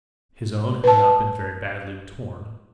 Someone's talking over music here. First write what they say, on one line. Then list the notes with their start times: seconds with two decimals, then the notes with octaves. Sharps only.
His own had not been very badly torn.
0.84 B4 A5